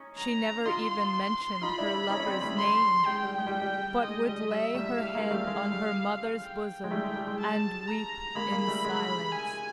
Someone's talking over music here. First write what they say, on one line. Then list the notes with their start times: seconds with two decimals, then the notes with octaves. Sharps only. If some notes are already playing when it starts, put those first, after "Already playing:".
She never even mentioned her lover's name, but would lay her head on her mother's bosom and weep in silence.
Already playing: C#4 D#4
0.18 A#5
0.65 D#4 F4 C6
1.62 D#4 F4 B5
1.78 D4 E4
1.94 D4 E4
2.10 C#4 D#4
2.20 C#4
2.26 C4 D4
2.42 G3 A3
2.58 C6
3.06 G#3 G5
3.23 G3
3.38 G#3
3.47 G3
3.61 G3
4.03 G#3 D#5
4.27 G3
4.51 G3 E5
4.74 G3 A3
4.98 G3 A3 F5
5.15 G#3 A#3
5.31 G3 A3
5.47 G#3
5.72 G3
6.43 G5
6.84 G#3
6.91 G3 A3
7.04 G#3
7.16 G3
7.27 G#3
7.40 A5
7.88 A#5
8.35 G#3 A#3 B5
8.52 G#3 A#3
8.67 G3 A3
8.84 G#3
9.32 G#5